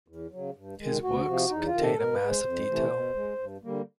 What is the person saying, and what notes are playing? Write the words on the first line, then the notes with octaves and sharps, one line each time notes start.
His works contain a mass of detail.
E2
C#3 F#3
G2
D#3 G#3
D2 F#4
C3 F3
E2 D#4
F4
C3 D#3
A4
B2 A#4
B4
G#3
C5
F2
C3 E3 A3
B2
G#3
G2
D3 G3 A#3